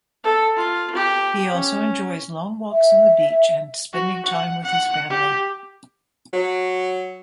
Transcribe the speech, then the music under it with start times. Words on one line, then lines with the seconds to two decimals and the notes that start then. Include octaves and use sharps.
He also enjoys long walks on the beach and spending time with his family.
0.24 A4
0.57 F4
0.95 G4
1.53 C#4
2.70 E5
3.93 F#4
4.26 F#5
4.63 F#5
5.10 G4
6.33 F#3